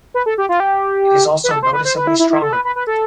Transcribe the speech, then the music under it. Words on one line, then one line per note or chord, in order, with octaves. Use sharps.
It is also noticeably stronger.
B4
A4
G4
F4
G4
B4
A4
C5
B4
C5
B4
E4
E4
E4
A4
B4
B4
B4
A4